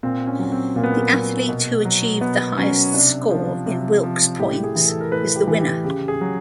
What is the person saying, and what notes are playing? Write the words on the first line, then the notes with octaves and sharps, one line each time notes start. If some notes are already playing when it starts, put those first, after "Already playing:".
The athlete who achieved the highest score in Wilks points is the winner.
A#2 C4
C#4
F#3
C4
A#2 A#3
B3
A#3
F#3
B2
F#3
B2 B3
F#3 C#4
C3 D4
F3
C3
F3
A2 G4
G#4
E3
A4
A#4
A2 B4
G4
E3
G4
C#3 G4
G#4
F#3